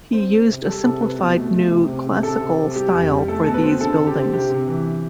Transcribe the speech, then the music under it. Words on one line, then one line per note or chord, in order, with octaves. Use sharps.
He used a simplified new-classical style for these buildings.
C4 C5
C4
C3
G3 A4
C3 A4
C3 B4
B2
A3
A3
C3
C3
C3
C3 A4
C3
C3
G3 G4
F2
G3
A3 A4
B2 A4
B4
C4
D3 A4
D3
G4
C4
C3 G4
C3
E3